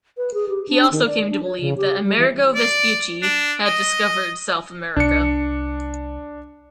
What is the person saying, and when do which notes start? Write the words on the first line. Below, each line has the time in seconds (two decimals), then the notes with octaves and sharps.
He also came to believe that Amerigo Vespucci had discovered South America.
0.17 B4
0.34 G#4
0.49 G4
0.68 D4
0.92 D#3
1.06 D5
1.30 D4
1.43 C#5
1.60 C#3
1.77 G4
2.03 G3
2.18 E3
2.55 D5
3.22 D4
3.65 D#5
4.96 C2 D4 C#7